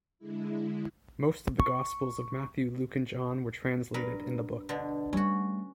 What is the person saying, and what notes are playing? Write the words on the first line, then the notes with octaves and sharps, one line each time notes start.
Most of the Gospels of Matthew, Luke and John were translated in the book.
D3 G#3 E4
C#6
G2 A#4 B4
B2 D3
G3 A3 C#4 F#4